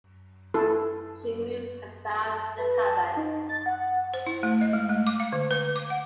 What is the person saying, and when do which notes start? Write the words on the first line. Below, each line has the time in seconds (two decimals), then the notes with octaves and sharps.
She moved about the cupboard.
0.54 E4 A4
2.29 A5
2.58 B4
2.85 A5
3.17 D#4
3.49 A6
3.66 F#5
4.14 C5
4.27 E4
4.43 A3
4.61 D#5
4.73 G#3
4.90 A3
5.07 D6
5.20 F5
5.33 D3
5.51 B4
5.76 D6
5.90 F#5